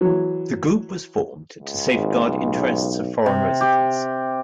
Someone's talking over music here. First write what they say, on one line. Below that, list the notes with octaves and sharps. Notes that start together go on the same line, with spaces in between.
The group was formed to safeguard interests of foreign residents.
E3 F#3
C#2
G#1
B1
C3
G4